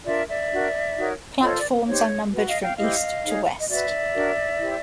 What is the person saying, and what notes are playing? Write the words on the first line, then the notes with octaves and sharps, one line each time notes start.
Platforms are numbered from east to west.
D4 F4 A#4 D5 E5
D5 E5
D4 F#4 A#4
D#4 F#4 A#4 C#5
F4 A4 C5 C#5 D#5
D5
D#4 G4 C5 C#5
F#4 B4
D#5 F5
F5 G5
E4 G4 C5 D#5 F5
D#4 G#4 C#5
D#5
F#4 B4 D5 E5
D4 F#4 A#4 C#5
E4 G4 C5